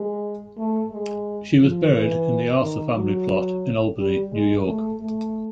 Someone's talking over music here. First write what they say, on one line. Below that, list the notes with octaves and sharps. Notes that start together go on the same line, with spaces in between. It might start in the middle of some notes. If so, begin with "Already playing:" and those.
She was buried in the Arthur family plot in Albany, New York.
Already playing: G#3
A3
G#3
F3
E3
D#3
F#3
G3
G#3
A3
A3